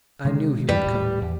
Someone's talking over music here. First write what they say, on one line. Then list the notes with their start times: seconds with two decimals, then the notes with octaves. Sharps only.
I knew he would come.
0.25 C3 D#3 G#3
0.69 E2 G2 E3 G3 B4
0.84 D#1 A2
1.22 E2